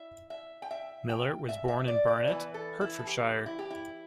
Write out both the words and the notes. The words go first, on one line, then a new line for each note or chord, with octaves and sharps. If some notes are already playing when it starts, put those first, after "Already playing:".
Miller was born in Barnet, Hertfordshire.
Already playing: E4 E5
E5
G5
E5
G5
E5
E5
D5
D5
E3 B3 E4 B4
A4
E4
A4
G4
E4
G4
E4